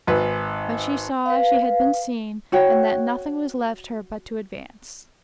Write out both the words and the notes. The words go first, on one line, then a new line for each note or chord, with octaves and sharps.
But she saw she had been seen and that nothing was left her but to advance.
G#1 B4
B4 F5
F#4 C#5 G5